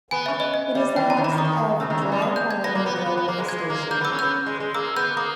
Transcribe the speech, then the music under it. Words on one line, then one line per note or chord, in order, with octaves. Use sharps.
It is the house of Drigh Colony railway station.
B3 G#5
C#4 E5
B3
D#5
D#5
G3 E5
E3 G5
A#5
D#3
E3 B5
D#3
D#6
C#3 E6
D#3
E3
G3
G#3 D#6
G6
G#6
B3 A#6
A#3
B3
B3
B3
B3
A#3
G#3
G#3 G#6
A#3
A#3 G6
B3 E6
C#4
B3 G6
G#3
G#3
A#3 E6
B3 G6
A#3 D#6